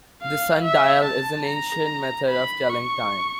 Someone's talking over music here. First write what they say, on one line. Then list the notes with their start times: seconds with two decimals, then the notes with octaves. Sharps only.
The sundial is an ancient method of telling time.
0.22 F5
0.63 E5
1.05 A5
1.46 A#5
2.29 B5
2.70 C#6